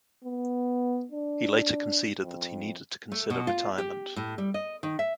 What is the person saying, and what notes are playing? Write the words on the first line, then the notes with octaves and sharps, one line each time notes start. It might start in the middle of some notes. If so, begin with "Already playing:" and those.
He later conceded that he needed to consider retirement.
B3
D4
F2
A3
B2
F4
G4
A2
G3
D#5
D#3
E5